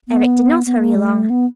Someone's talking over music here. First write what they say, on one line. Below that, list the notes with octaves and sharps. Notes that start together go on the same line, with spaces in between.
Eric did not hurry along.
B3
B3
A#3
G#3
A3
B3